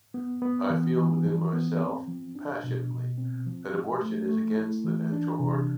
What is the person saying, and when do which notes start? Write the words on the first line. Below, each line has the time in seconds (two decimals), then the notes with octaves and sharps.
I feel within myself, passionately, that abortion is against the natural order.
0.14 B3
0.42 B3
0.70 E3
0.97 E3
1.26 F3
1.53 B3
1.81 C4
2.07 F3
2.35 D4
2.64 B2
2.91 B2
3.18 C4
3.46 F3
3.74 F3
4.01 A3
4.28 A3
4.57 E4
4.84 E3
5.12 D4
5.40 C3